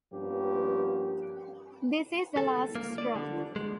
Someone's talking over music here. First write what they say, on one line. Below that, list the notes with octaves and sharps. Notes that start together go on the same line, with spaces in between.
This is the last straw.
G2 F3 A#3 B3 C#4 G4
A4
A#3
D5
D3
G#3